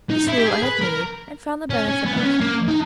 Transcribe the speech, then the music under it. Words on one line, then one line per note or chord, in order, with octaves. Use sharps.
This rule I have made, and found the benefit of.
D#4
E4
G4
G#4
B4
A#4
C#4
C#4
B3
B3
C#4
A#3
D#4